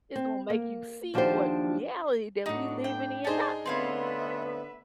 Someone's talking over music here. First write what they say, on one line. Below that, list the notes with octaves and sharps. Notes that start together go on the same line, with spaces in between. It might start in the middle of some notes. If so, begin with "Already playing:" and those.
it's gonna make you see what reality that we living in now.
C4
A#3
D#2 F3 D4 F#4 G4 C5
A2 D4 D#4 F#4
G5
D#4 G#4 C5 D5 A5
D3 A3 B3 C4 F4 B4 C#5 E5